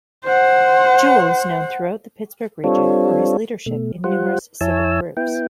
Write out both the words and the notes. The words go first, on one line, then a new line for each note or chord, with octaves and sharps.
Jewell is known throughout the Pittsburgh region for his leadership in numerous civic groups.
C5 F#5
G3 C4 D4 F4 A4 C#5
B2 A3
G3 F4 C5 F#5
F2 E4 C#5 G#5 A5 E6
B3 E4 G5